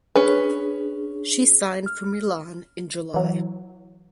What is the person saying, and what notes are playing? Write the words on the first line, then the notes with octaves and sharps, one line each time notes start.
She signed for Milan in July.
C#4 D4 G#4 B4
F6
E3 F#3